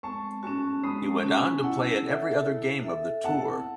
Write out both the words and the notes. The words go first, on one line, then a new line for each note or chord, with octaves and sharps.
He went on to play in every other game of the tour.
G#3 A5 C#6
C#4 F#4 A5 C#6
G#3 B5 D#6
A5 C#6
C#4 F#4
G#5 B5
E4 F#5 A5
A4 E5
E4
A4 E5
E4 F#5 A5